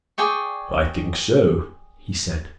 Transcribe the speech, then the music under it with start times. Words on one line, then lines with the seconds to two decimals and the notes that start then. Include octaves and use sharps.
"I think so," he said.
0.18 G#4 D5 G5 C#6